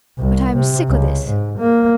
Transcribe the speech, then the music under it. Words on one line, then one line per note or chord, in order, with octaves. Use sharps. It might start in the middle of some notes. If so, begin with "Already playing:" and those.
But I'm sick o' this!
C2
C3
C#2
G#2
A#3